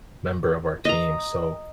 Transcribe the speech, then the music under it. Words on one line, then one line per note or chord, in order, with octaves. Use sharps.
member of our team, so,
D#5 A#5